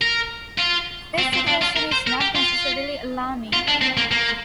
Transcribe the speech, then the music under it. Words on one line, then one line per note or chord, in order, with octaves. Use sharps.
This situation is not necessarily alarming.
A#4
F4
C4
C4
D4
F4
A#4
C5
A#4
G4
F4
F4
D4
C4
A#3
A#3